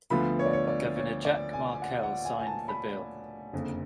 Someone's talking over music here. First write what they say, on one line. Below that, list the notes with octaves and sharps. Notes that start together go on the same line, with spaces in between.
Governor Jack Markell signed the bill.
D2 D3 F3 B3 F4 B5
C#5
D5
C#5
D5
C#5
D5
G#5
F#5
F#5
G#5
G#5
A5
B5
F#1 F2 D3